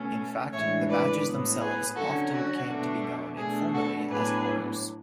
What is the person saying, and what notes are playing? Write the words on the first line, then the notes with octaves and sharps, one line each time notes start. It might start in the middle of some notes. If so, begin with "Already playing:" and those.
In fact, the badges themselves often came to be known informally as "orders".
Already playing: B2 A3 C#4
A2 E3 G#3 D4 C#5 E5
B4 D5
A2 F#3 B3
G#4 B4
D3 F#3 C#4 F#4 A4
F#4
B2 A3 D4
B2 A3 D4 G#4
F#4 A4
A2 F#3 B3 D4 G#4 B4